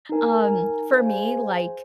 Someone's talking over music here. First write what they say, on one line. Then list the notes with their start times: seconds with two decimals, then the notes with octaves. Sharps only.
Um, for me, like,
0.09 D#4 A#4 G#5
0.91 G#4 C5 F5 G#5